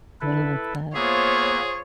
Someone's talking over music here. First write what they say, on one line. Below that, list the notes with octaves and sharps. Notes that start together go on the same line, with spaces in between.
Little of that.
E4 A4 B4
A#3 B3 F4 G#4 C5 C#5 E5